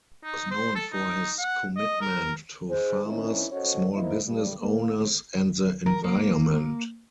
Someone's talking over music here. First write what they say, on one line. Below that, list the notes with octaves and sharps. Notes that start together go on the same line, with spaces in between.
He was known for his commitment to farmers, small business owners, and the environment.
D#4
C5
A4
D#4
F#5
D#5
A#4
G#4 C5
D#3 C4 C#4 E4
C#4 F#4 A4 C5 C#5 D#5
A#3 D#4 E4 C5
G2 G3
A#3
A#4
A#3